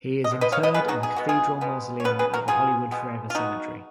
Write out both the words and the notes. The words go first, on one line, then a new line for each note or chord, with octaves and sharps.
He is interred in the Cathedral Mausoleum at the Hollywood Forever Cemetery.
D#5
B2 G#3
B4 D#5
C#5 F5
B4 D#5
B2 G#3 B3 G#4 B4
D#4 F#4
G#4
B2 G#3 B3 F#4
F4 G#4
B2 G#3 B3
C#5
C#3 F3 B3 B4
G#4 B4
F#4 A#4
C#3 F3 B3 F4 G#4
B2 G#3 B3
F4
B2 G#3 B3 D#4 F#4